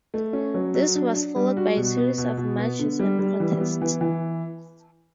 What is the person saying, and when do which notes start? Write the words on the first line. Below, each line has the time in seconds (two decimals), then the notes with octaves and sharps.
This was followed by a series of marches and protests.
0.14 A3
0.33 C#4
0.54 F#3
0.75 F#3
0.95 D4
1.16 D4
1.36 G3
1.57 F#4
1.77 B2
1.98 B3
2.18 B2
2.37 B2
2.59 B3
2.79 D3
2.99 G3
3.19 G3
3.40 E3
3.60 B3
3.82 E3
4.01 E3